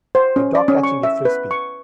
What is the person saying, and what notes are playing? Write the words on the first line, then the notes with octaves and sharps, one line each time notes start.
A dog catching a Frisbee.
C5
C#4
D5
C#4
C#6
E5
B4
C#6